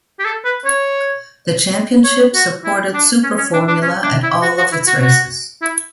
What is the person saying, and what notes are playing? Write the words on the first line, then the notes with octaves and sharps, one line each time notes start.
The championship supported Super Formula at all of its races.
G4
A4
B4
C#5
C#5
F#4
E4
D4
C#4
C#4
D4
D4
C#4
D4
E4
F#4
F#4
E4
F#4
F#4
E4